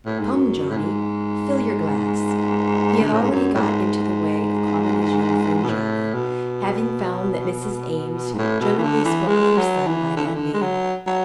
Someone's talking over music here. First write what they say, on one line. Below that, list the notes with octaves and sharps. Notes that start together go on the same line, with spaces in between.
"Come, Johnny, fill your glass." He had already got into the way of calling his young friend Johnny, having found that Mrs. Eames generally spoke of her son by that name.
A2
G#2
F#2
A2
G#2
D3
A2
G#2
F#2
A2
G#2
B2
A2
B2
G#2
A2
B2
E3
D3
E3
G#3
F#3
E3
D3
E3
D3
G#3
F#3
F#3